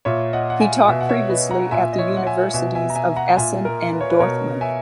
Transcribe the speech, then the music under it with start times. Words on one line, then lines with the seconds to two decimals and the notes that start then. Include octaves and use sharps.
He taught previously at the Universities of Essen and Dortmund.
0.05 A#2 C#5 E5
0.33 D#5 F#5
0.50 F#5
0.61 E5 G#5
0.88 B2 E5 G#5
1.00 F#5
1.09 C#5 E5
1.30 B4 D#5
1.51 F#5 A#5
1.71 A#2 E5 G#5
1.93 D#5
1.98 C#5 E5
2.17 F#5
2.27 E5 G#5
2.54 B2 E5 G#5
2.75 E5 G#5
2.90 A#5
2.95 E5 G#5
3.16 F#5 A#5
3.37 A#2 E5 G#5
3.65 A#4
3.92 B4
4.01 C#5
4.10 B4
4.19 B2 A#4 C#5
4.61 E5 G#5